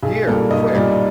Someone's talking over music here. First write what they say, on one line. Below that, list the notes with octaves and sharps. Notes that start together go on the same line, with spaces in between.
"Here, quick!"
B1 G#4
A#2 G3 A#3 A4
B1 D#5
A#2 G3 A#3 D5